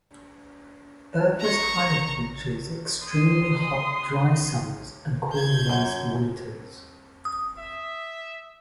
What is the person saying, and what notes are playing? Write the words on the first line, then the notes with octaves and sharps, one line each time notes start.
Urfa's climate features extremely hot, dry summers and cool, moist winters.
A#5 C#6
C6 D#6
G6 G#6
F#2
D#6
E5